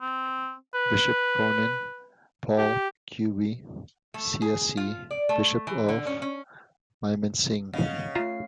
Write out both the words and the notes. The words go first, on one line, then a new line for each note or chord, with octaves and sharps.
Bishop Ponen Paul Kubi, csc, Bishop of Mymensingh.
C4
B4
G4
A3
G#4
F4
D5
A3
E3
D3
C#4
C#4
C#3 D#5 F5 F#5
A3 F4 E5 F5 A#5 C7